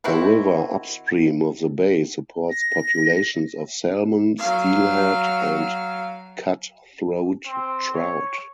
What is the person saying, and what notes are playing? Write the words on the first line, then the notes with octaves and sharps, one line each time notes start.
The river upstream of the bay supports populations of salmon, steelhead, and cutthroat trout.
D#3 C4 E4 F#4
A#6
F#3 F5
C4
C#5